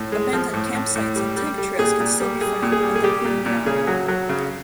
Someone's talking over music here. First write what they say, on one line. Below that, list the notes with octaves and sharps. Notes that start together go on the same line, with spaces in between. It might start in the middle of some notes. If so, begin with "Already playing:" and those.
Abandoned campsites and tank trails can still be found on the proving ground.
Already playing: A2
G#3
F3
A2
A2
A2
G3
G3
G3
A#2 G#4
A#2
G3
G3 G#4
A#2
G#4
G3
G#4
G3 G4
A#2
A#2
C#3 G#4
F#3
F#3
C#3